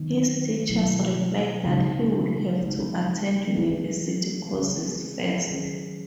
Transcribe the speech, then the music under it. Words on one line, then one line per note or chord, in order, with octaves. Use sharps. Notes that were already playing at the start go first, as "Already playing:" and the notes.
His teachers replied that he would have to attend university courses first.
Already playing: D#3 F#3 B3 D#4
B2 F#3 B3 E4
C#3 G#3 D#4 F#4
C#3 G#3 B3 D#4
E3 G#3 D#4 G#4
C#3 G#3 C#4 G#4
D#3 F#3 C#4 G#4